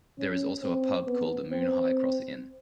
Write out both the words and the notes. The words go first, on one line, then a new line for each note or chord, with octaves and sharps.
There is also pub called the Moone High Cross Inn.
C#4
C4
B3
C4